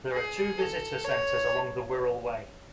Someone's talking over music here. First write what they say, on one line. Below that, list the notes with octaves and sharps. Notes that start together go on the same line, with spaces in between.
There are two visitor centres along the Wirral Way.
G#4
A4
C#5